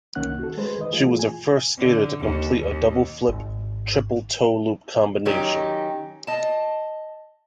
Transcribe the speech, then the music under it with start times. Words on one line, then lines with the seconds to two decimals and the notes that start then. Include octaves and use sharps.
She was the first skater to complete a double flip, triple toe loop combination.
0.15 C2 D#3 A#3 C#4 F#5 F#6
0.39 F#4 A4
0.58 G#3 G#4 B4 C5
0.78 D#3 B4 D#5
0.92 E3 A3 F4 G#4
1.19 G#5
1.78 D3
2.20 D#2
2.58 D#2
3.29 G#1
5.25 D#3 F#3 C#4 D#4 G4
6.27 D#5 A5